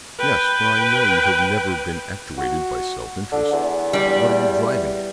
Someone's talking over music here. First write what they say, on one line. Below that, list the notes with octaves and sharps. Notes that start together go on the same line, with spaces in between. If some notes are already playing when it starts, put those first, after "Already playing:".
"Yes, for I know you have never been actuated by self-interest. But what are you driving at?"
B4 G5
F#4
D3
E2
G3 D5